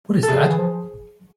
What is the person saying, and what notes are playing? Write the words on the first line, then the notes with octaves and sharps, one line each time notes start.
What is that?
A4
C3 G#4
D3
E3
F3